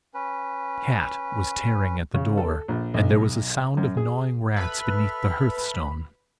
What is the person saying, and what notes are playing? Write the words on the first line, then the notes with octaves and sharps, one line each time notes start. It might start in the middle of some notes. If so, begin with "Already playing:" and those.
A cat was tearing at the door, and there was a sound of gnawing rats beneath the hearth-stone.
C#4 B4
C#3
A4
A#1
B1
F#2
G#4
A4 B4 E5 B5 F6